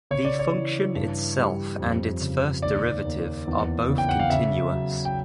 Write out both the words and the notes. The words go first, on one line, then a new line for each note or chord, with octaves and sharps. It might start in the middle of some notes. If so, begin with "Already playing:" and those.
The function itself and its first derivative are both continuous.
C#3 C#5
D5
C#5
E3
G2
G3
F2
C#3
D#2 D5
D#2
E2
C#3
G5
F#5
F5
C#3 E5
F#3
G5